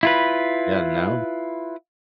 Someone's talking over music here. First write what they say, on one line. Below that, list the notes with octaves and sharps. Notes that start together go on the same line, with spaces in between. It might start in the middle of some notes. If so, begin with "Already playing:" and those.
Yeah, and now
E4 F4 B4